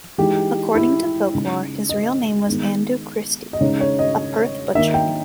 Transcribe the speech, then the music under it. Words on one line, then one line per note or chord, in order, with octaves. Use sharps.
According to folklore, his real name was Andrew Christie, a Perth butcher.
E3 G#3 D#4 G4
E4
C#3 G#3 D#4
D#5
D#3 G#3 B3 D#4
D#5
C#3 G#3 D#4 C#5
C#5
D#5
D#3 A#3 D#4 E5
G5